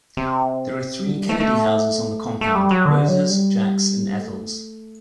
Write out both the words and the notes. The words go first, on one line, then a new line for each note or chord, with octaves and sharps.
There are three Kennedy houses on the compound: Rose's, Jack's, and Ethel's.
C3
D3
G3
A3
A3
A3
G3
F#3
D3
F#3
G3
A3